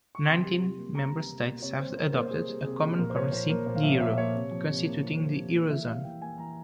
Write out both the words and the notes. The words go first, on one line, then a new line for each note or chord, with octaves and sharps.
Nineteen member states have adopted a common currency, the euro, constituting the Eurozone.
C#6
C3 C6
G3
C3
A#3
C3 A#5
G3
C3
A#3
C3 C#5
G3 C5
C3 A#4
A#4
A#3 C5
C3 G#4
G3
C3 G#4
A#3
A#2 A#4
C5
F3 C#5
A#2 C5
A#3 A#4
A#2 C5
F5
F3 E5
C#5
A#2 E5
E5
A#3 C#5
C3
F3
C3
A#3
C3
F3
C3
A#3
E3 E5
G3 F5
E3 G5
A#3 G#5
E3 A#5